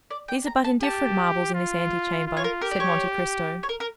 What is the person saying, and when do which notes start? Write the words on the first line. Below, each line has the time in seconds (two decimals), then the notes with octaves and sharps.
"These are but indifferent marbles in this ante-chamber," said Monte Cristo.
0.11 D5
0.28 G5
0.47 A#5
0.64 A5
0.82 G4 A5
1.54 F4
2.26 F4
2.37 C#5
2.44 A#4
2.61 G4 A#4
2.71 D5
2.80 C#5
3.63 C#5
3.69 A#4
3.80 A#4